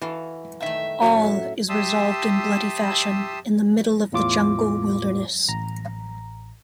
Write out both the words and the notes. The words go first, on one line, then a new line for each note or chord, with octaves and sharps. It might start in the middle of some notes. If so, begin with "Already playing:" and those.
All is resolved in bloody fashion in the middle of the jungle wilderness.
E3 F#4 A4 F5
D#3 A3 E5
A2 F#3 C#4 F#4
G4 E5 A5 C6 D#6 E6
E2 A2 F4 D6
A1 A#5